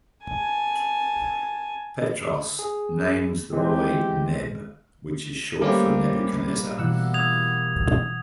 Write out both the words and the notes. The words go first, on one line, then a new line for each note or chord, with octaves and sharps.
Petros names the boy Neb, which is short for Nebuchadnezzar.
G#5 A5
G#4
E3 G#3 C4 G4
G3 A3 A#3 C#4 G4 C5 D6
B2 E3 E4 F#5 E6
D#6 G#6 F7